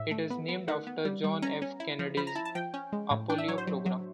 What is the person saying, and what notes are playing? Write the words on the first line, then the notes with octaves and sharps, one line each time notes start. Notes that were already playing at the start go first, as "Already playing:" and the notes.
It is named after John F. Kennedy's Apollo program.
Already playing: A2 A3 E5
A3
B3
B3
D#3 F#5
B3
G3
G3
C#4 A#5
C#4
E4
F3
F3 B5
A#5
E4 A5
A5
F3 G5
C#4
G#3
A2
D4 G5
E5
F#3 C#5
C5
F#3
F#3